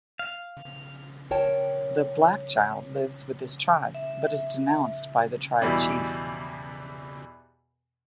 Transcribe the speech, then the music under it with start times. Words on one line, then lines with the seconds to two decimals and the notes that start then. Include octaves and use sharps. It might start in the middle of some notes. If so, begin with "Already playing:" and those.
The "black child" lives with his tribe, but is denounced by the tribe chief.
0.19 F5
1.31 A#4 C#5 G5 A5
3.95 E5
5.62 E2 B2 E3 G3